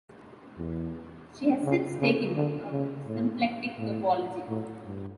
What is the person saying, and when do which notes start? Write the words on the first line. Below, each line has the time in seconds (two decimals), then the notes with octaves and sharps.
She has since taken up symplectic topology.
0.58 E2
1.64 C#3
2.00 C#3
2.35 D3
2.71 C#3
3.07 A2
3.78 A2
4.49 A2
4.86 G2